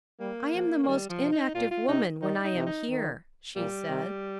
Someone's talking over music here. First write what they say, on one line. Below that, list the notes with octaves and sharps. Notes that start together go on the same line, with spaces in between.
"I am the most inactive woman when I am here," she said.
G3 A#3
F3
A#3
D#3 G3
F3
C3
D#4
A#2 F4
F4
C3 D#4
D#3 D#4
D#4
C3
D#4
D#3
A#2 G3
C3